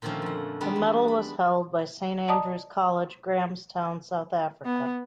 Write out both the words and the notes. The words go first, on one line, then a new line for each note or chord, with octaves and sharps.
The medal was held by Saint Andrew's College, Grahamstown, South Africa.
A#2 D3 D#3 F3 A3 C#4
F2 F#5
D#3 G3 G#3 B3 D4
E2
B5
D5 D#5 A5 A#5 D6 D#6
B3